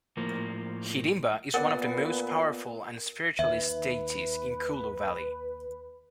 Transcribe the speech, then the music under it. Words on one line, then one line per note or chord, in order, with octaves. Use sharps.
Hidimba is one of the most powerful and spiritualist deities in Kullu valley.
A2 F3 A#3
A#2 B3 A#4 D5 F#5
D#2 D#3 B4 E5